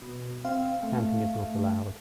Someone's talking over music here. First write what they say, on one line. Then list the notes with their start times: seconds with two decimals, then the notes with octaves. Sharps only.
Camping is not allowed.
0.02 B2
0.45 C4 F5
0.83 A3